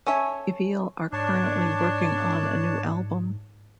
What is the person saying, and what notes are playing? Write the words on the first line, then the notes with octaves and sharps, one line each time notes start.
Evile are currently working on a new album.
C#4 A4 C#5 E5
G#2 D4 C#5 A5